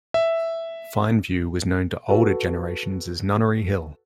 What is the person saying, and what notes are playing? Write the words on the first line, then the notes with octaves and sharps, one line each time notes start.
Fineview was known to older generations as Nunnery Hill.
E5
F#4 A4 B4